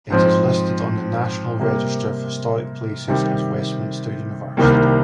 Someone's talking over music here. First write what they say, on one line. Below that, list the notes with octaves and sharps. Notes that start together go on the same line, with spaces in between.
It is listed on the National Register of Historic Places as Westminster University.
G#2 F3 C4
C3 G3 A#3
C3 D#3 G3
C2 C3 D#3 G3 A#3